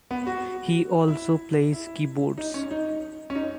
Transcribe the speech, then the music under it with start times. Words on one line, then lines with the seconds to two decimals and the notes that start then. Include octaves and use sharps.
He also plays keyboards.
0.11 B3
0.27 F#4
1.08 E4
1.73 E4
2.38 D#4
2.54 C#4
2.71 D#4
3.30 C#4
3.35 D#4